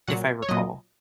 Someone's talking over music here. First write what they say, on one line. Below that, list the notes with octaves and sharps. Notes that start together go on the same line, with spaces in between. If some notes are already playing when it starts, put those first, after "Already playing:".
if I recall.
A#2 F#3 F#5
C#5
A#2 F#3 D#5